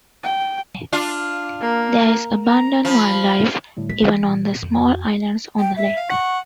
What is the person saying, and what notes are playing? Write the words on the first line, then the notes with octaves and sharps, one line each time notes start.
There is abundant wildlife even on the small islands on the lake.
G5
D4 F4
A#3
A#5
F3 B5
A2 D3 G3
G#3 B6
E3
A#2
F2
F#4
G5
E5
F5
F#5 C#6